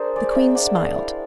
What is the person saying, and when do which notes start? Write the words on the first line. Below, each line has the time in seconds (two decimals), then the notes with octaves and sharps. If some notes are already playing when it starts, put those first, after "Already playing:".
The queen smiled.
Already playing: D4 G#4 A#4 C5
0.16 G#3 D5
0.35 E5
0.55 D4 F#5
0.75 F5
0.95 E4